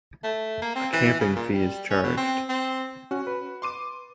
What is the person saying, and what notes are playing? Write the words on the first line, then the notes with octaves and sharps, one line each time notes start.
A camping fee is charged.
A3
A#3
C4
E3
C#3
A#2
G3
C#4
B2
C4
C4
C#4 F#4
B4
C6 D6 D#7